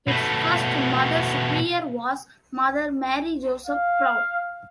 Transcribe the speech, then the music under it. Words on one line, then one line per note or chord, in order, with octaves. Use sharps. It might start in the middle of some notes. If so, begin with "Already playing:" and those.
Its first Mother Superior was Mother Mary Joseph Prout.
B2 A3
F5